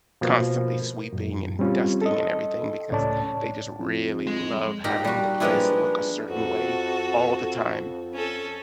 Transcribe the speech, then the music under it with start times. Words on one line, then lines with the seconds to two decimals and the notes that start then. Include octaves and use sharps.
constantly sweeping and dusting and everything because they just really love having the place look a certain way all the time,
0.21 B2 F3 A#3
1.13 F#2 A#2
1.59 G3 C4 C#4 F4
2.02 A4 D#5
2.91 C#2 A2 C#4 C#5 D5 A5
3.80 F2
4.27 G#3
4.84 A#2 D#4 G4 F5 A#5
5.05 G3 F#4
5.40 F3 G#3 A#3 B3 D4 E4
6.30 F2 F#4 A4
8.14 C#4 A4